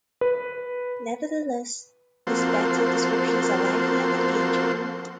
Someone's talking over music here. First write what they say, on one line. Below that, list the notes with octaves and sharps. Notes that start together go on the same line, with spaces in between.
Nevertheless, his battle descriptions are lively and engaging.
B4
F3 A#3 C4 F#4 A4 C5